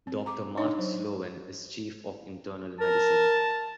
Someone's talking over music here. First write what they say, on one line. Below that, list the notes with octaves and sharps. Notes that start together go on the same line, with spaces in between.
Doctor Mark Sloan is Chief of Internal Medicine.
C4
A#5 D6
D4 D#4 C#5 D#5
F#3 C5
A#4 A5